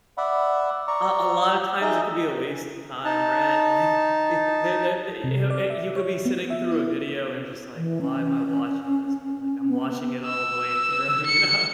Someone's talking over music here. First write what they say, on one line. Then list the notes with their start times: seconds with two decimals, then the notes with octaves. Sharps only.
a a lot of times it could be a waste of time, right? Like, it the the the i uh, you could be sitting through a video and just like, why am I watching this? But, like, I'm watching it all the way through, you know?
0.18 D5 E5 F#5 B5
0.88 D5 A#5 C#6
1.81 D#4 G#4 D#5 E5
3.05 D#4 A5
5.24 C3
5.50 D5
5.70 E5
5.96 C#5
6.25 B3
6.50 E5
6.71 E4
7.76 E3
8.01 C#4
9.68 B3
10.26 E6
11.26 C#7